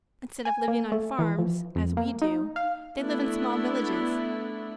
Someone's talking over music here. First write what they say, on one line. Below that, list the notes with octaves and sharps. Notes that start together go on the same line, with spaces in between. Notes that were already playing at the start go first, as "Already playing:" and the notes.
Instead of living on farms as we do they live in small villages.
G#5
A#3
A3
E3
F3
F2
A#3
D#4
F5
A3 B3 D4 E4